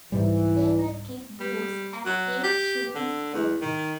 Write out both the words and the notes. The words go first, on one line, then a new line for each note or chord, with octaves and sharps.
They were kid boots at eight shillings a pair.
C2 G#2 E3 G3
G3
F#3
G4
D3
E2
D#3